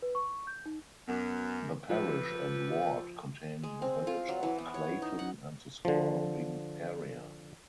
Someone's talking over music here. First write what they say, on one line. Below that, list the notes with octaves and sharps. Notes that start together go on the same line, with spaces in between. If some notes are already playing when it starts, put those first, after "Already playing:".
The parish and ward contain the village of Clayton and the surrounding area.
B4
C#6
G6
D#4
F#2 B3
F3 G4 A4 B4
G#3
C4
F4
F#3
E3
B3
C#5
D#4
F#5
D3 F3